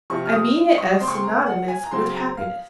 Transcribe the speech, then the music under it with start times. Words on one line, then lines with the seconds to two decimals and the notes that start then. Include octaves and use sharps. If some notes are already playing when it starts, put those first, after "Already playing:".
I mean it as synonymous with happiness.
0.10 C3 F3 C4 C#6
0.25 F6
0.33 D#6
0.78 C#6
1.00 C#3 G#3 C4 C6
1.08 C#6
1.14 C6
1.23 A#5
1.46 F#5
1.68 G#5
1.84 A#5
1.91 C#3 F#3 C4 C6
2.14 A#5
2.37 F5